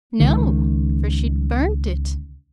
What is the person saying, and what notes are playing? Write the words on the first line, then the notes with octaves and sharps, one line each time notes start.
'No! for she'd burnt it.'
C#2 D#3